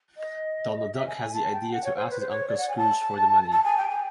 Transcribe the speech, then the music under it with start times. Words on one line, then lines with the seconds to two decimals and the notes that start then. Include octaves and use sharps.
Donald Duck has the idea to ask his Uncle Scrooge for the money.
0.17 D#5
0.94 E5
1.07 G#5
1.20 G#5
1.32 A5
1.53 G5
1.71 F#5
1.84 C#5
1.96 C5
2.10 B4
2.20 C5
2.29 C#5
2.49 D5
2.58 F#5
2.68 G#5
2.77 A5
3.51 A5
3.64 G#5
3.77 G5
3.89 G#5